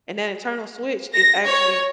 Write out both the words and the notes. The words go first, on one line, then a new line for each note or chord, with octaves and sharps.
and that internal switch is actually
A#6
C#5